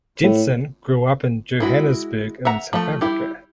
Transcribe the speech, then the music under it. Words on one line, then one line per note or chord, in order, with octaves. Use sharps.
Jensen grew up in Johannesburg in South Africa.
A2
G#3 E4 F#4
E5 F#5 A#5
F3 A3
G3 E4 G4